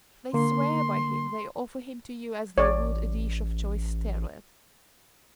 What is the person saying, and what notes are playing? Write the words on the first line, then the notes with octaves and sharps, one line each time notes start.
They swear by him, they offer him to you as they would a dish of choice sterlet.
D3 A#3 C6
A1 C#5 D5